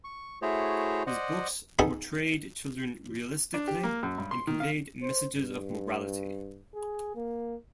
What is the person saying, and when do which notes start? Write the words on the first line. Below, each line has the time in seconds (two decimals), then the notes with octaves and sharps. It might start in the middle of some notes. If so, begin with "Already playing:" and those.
His books portrayed children realistically and conveyed messages of morality.
0.04 C#6
0.42 A3 E4 F#4 G#4 C5 C#5
1.07 C5 D5 D#5 F#5
1.79 B3 D#4 G#4 A4
3.54 D4
3.68 G4
3.83 A#3
4.03 F#2
4.18 G2
4.31 C6
4.47 D#3
4.60 F5
5.02 C5
5.35 G2
6.75 G#4
7.15 A#3